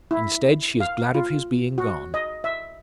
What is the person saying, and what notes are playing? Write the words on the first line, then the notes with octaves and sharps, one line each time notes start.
Instead, she is glad of his being gone.
E4
F5
F4
F#4
D#5
E5